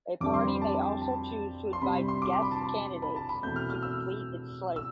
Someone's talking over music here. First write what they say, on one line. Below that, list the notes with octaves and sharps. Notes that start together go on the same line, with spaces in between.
A party may also choose to invite "guest candidates" to complete its slate.
F2 D3 G3 C4 D6
C6
B5
A5
G5
A5
C6
C3 G3 C4 B5
C6
D6
C6
B5
A5
A5
B5
A5
B5
E2 B2 A3 C4 G6
F6
F6
E6
E6